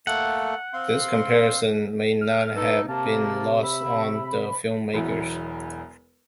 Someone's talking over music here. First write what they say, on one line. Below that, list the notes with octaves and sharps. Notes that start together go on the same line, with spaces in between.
This comparison may not have been lost on the filmmakers.
A3 A#3 A4 F#5
C4 F5 C6
F6
D#4 A4 B4
C3 A#3 A5
E5 B5
E1 E2 F#3 E4